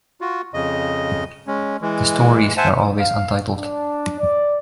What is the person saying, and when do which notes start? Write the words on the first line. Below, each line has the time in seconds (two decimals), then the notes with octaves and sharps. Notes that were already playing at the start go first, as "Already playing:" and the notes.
The stories were always untitled.
0.21 F4 F#4
0.54 F2 C#3 D#5
1.47 G#3 C#4
1.82 E3 G#3
2.57 C5 E5 F#5 G#5 A5
2.99 F5
3.57 D4
4.20 D5